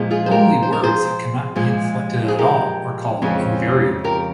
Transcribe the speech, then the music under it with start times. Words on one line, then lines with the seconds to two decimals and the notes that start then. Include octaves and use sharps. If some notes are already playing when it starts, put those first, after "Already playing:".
Only words that cannot be inflected at all are called "invariable".
Already playing: A#2 F3 G#3
0.11 F4 G#4
0.26 C5
0.31 G4 A#4
0.63 C5
0.73 A#4
0.83 G#4 C5
1.56 A#2 F3 G#3
2.28 G#4
2.38 G4 A#4
3.22 F2 C#3 F3 G#3
4.04 G4 A#4